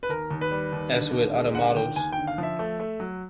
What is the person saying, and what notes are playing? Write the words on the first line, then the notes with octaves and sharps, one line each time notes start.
As with other models.
B4
D#2 A#4
D#2
B4
G3
D#2
D3
D#2
G#3
D3 F#5
D#2 G5
D#2 G#5
G5
D3
F5
F3 E5
A3
A3
F#3